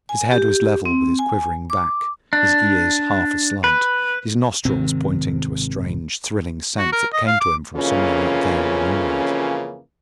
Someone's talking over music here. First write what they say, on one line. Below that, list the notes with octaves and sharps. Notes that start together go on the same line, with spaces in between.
His head was level with his quivering back, his ears half aslant, his nostrils pointing to a strange thrilling scent that came to him from somewhere out there in the moonlight.
G#5
G4
C4
G#5
D6
D4
B4
G#1 C3 D#3 C4
F#4
A#4
D#5
F5
D6
F2 C#3 E3 A#3 C#4 F4